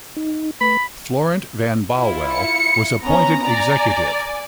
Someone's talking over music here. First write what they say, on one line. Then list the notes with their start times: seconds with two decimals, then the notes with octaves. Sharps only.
Florent Van Bauwel was appointed executive.
0.16 D#4
0.61 A3 B4 B5
1.95 E4 F4
2.32 C#7
3.02 B3 C#4 A#5
3.45 D5 G#5